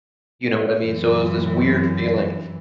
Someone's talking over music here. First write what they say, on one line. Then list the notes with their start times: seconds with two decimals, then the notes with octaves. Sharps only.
you know what I mean? So, it was this weird feeling,
0.81 F#2 E3